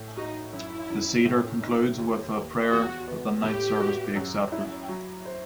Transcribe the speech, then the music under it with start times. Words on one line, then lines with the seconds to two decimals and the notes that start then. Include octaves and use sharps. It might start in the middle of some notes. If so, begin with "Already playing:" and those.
The Seder concludes with a prayer that the night's service be accepted.
Already playing: A2
0.16 D#4 F#4
0.53 F#2 E4
0.90 F#2
1.25 A2
1.62 D#4
1.98 D#2
2.34 D#2
2.71 E2 F#4
3.08 B3
3.43 A2 G4
3.80 F#4
4.16 F#2
4.52 E4
4.89 F#3
5.25 C5